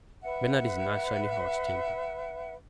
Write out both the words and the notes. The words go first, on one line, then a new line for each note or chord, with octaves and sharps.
"Bernard is naturally hot tempered."
B4 E5 F#5